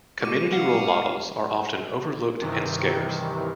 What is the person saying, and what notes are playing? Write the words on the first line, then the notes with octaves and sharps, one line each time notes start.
Community role models are often overlooked and scarce.
B2 G#3 C#6 D6 D#7
F5 F#5
G2 C3 D#3 E3